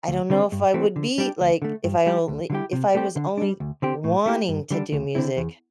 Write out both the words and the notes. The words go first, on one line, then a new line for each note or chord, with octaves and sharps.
I don't know if I would be, like, if I only if I was only wanting to do music
D2
D3 G3 C4
G2
E3 A3 C4
D3
G3 D4 G4
D2
D3 A3
G2
G3 E4 G4
D2
D3 G3 E4 G4
C3
A3 C4 G4
D3
G3 D4
D2
D3 C4 G4
A2
A3 E4 G4
G2
D3 G3 D4
D2
D3 C4 E4
E2